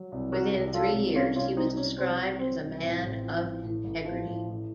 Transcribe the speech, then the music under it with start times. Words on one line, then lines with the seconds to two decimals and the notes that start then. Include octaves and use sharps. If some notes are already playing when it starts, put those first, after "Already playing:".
Within three years he was described as a man of integrity.
Already playing: F#3
0.12 C2
0.32 C3 F#4 A#4
0.53 C2
0.74 F#3 F4 A4
0.95 C2
1.15 C3 C#4 F4
1.36 C2 C#4 F4
1.56 F#3 C4 D#4
1.70 D#4
1.77 C2 C#4
1.98 C3 C4
2.18 C2
2.39 F#3 C4
2.60 C2
2.81 A2 C4
3.02 A1
3.22 F3
3.42 A1
3.63 A2
3.84 A1
4.04 F3
4.25 A1
4.46 A2